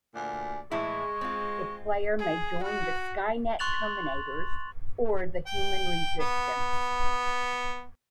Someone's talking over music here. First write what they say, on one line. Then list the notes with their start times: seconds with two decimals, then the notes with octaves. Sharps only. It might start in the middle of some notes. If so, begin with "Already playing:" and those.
The player may join the Skynet terminators or the human resistance.
0.15 D2 A#2 D5 G#5
0.71 A2 E3 G#3 E4 C#6
1.21 C4 F4
2.19 G#4
2.63 F#4
3.59 C6 C#6 F#6 A6 F7 F#7
5.47 G5
6.20 B3